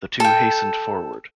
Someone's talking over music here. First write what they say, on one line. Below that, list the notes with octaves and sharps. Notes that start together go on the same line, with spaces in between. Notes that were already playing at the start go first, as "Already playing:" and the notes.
The two hastened forward.
A4 G5